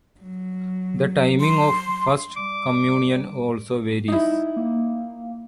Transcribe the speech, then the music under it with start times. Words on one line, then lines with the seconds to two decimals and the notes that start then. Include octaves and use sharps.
The timing of First Communion also varies.
0.21 F#3
1.40 C6
2.36 G3 D6
4.08 D#4 E4
4.56 A#3